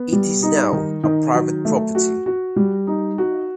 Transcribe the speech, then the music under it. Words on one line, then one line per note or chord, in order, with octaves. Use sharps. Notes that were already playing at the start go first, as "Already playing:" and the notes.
It is now a private property.
Already playing: B3
G3
D#4
D#3
D#3
F#3
A3
F#4
F#4
G3
D#4
F#4